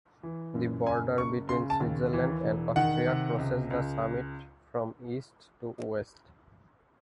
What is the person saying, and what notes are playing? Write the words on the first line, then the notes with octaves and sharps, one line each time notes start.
The border between Switzerland and Austria crosses the summit from East to West.
E3
F#2
F#1 G#5
F#1 C#6
C#3 C6
A5
D#2
E3
E1
D#3 F#5
C3
C#2
C#2